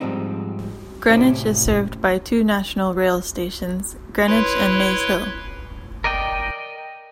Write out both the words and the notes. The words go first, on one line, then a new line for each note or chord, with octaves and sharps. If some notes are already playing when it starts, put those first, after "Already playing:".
Greenwich is served by two National Rail stations, Greenwich and Maze Hill.
G#2 F3 G3 C4 D#4
A2 C3 C#4 E4 C5 D5
E4 B4 C#5 C6
A#4 D5 D#5 G5